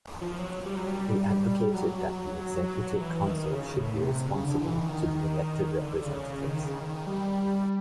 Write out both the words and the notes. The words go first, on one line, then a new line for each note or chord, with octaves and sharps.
He advocated that the executive council should be responsible to the elected representatives.
F3
F#3
G3
F#3
G3
F#3
F#3
F#3
F#3
F#3
E3
D#3
C#3
A2
C3
C#3
D3
E3
D#3
D3
C#3
C#3
D#3
C#3
D#3
G3